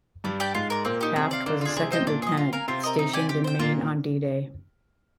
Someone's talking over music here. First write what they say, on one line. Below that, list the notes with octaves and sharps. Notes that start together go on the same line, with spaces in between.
Taft was a second lieutenant stationed in Maine on D-Day.
G2 G3 D4
G4 D5 G5
G#2 G#3 F4
A#4 D5
A#2 A#3 C4
D#4 G4
C3 C4 G#4
D5 F5
D3 A#3 D4
F4 G#4
D4
C3 C4 G#4
C5 D#5 G5
A#2 A#3 D4
G#4 D#5
F4
A#4 F5 G#5
C3 C4 F4
A#4 D#5
D#4
G4 D5 G#5
G4
C5 G5
A#2 A#3 F4